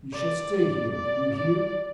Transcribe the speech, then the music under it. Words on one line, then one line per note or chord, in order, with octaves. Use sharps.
You shall stay here, do you hear?
D5
D5
D5